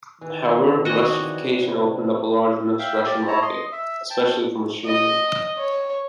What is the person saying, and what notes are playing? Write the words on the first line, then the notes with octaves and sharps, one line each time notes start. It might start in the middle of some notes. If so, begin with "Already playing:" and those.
However, Russification opened up a large Russian market especially for machinery.
D#3 E3
F2 E3 D4 F#4 C#5 D#5
C3
E5 F5 G5
G4 D5
E4 C#5 A5 A#5
D#5 C6
E5
G5 A5
D#5
C#5